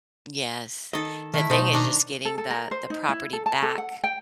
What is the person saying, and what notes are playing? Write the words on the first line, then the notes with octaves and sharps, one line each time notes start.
Yes. The thing is just getting the the property back,
D#3 A4 D#5
D#3 A3 E4
B2 A3 D#4 C5 A5
D#3 D4 A#5
A4
A4
A#4
C5
D#4
E4
A4
A5
A4
F#5
G5